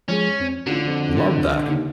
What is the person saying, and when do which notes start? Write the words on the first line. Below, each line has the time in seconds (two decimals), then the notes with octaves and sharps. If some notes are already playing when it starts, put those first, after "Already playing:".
Love that.
0.08 F3 G#3 C#4 G#4
0.40 F2 C4
0.67 A1 D3 F4 F#4
0.87 F2
1.67 D#2 C#3 D#4